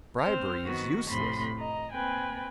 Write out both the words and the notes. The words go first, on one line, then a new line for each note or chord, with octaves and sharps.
Bribery is useless!
C4 C5 F6
D#3 B3 F#4
F2 A2 C3 B5 C6
D#5 A#5
A#3 C4 B4 G5 G#5